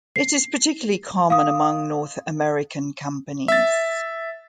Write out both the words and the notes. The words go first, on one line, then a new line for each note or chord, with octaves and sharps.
It is particularly common among North American companies.
C7
F5 D#6
E5 A6